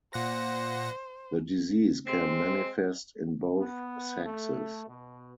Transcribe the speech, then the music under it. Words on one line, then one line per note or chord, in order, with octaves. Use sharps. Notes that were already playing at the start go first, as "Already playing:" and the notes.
The disease can manifest in both sexes.
A#2 C5 F#5 A#6
G#3 C4
B3
A3
B2